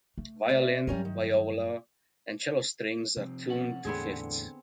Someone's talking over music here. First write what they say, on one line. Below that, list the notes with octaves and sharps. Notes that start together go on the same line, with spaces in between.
Violin, viola, and cello strings are tuned to fifths.
A3
C4 D5 E5
G2 F#3 G3 C#4 A#4
D#3
C3 F3 C4
C#4 A4 F#5
E2 A2 D3 B3 C4 G#4